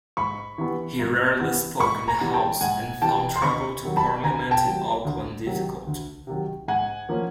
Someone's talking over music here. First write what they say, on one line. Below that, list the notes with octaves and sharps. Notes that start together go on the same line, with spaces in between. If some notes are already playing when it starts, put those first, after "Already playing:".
He rarely spoke in the house and found travel to parliament in Auckland difficult.
G#2 B5 C#6
E3 G3 B3
G#2
E3 G3 B3
G#2 B5 C#6
G#5 A#5
E3 G3 B3
G5 A5
G#2 F#5 G#5
E3 G3 B3 G5 A5
C6
D2 B5 C#6
C3 D#3 F#3
A5 B5
D2 G#5 A#5
G5 A5
C3 D#3 F#3
D2
C3 D#3 F#3
D2
C3 D#3 F#3
G#2 F#5 G#5
F3 A#3 C#4